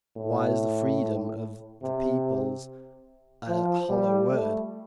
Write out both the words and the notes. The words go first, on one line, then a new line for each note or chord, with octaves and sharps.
Why is the freedom of the peoples a "hollow word"?
A2
C3
F3
G3
A3